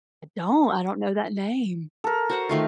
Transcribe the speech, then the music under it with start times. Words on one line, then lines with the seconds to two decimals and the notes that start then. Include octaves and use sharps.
I don't, I don't know that name.
2.04 A4 A#4
2.30 F#4 C5 F#5
2.49 D#3 A3 F4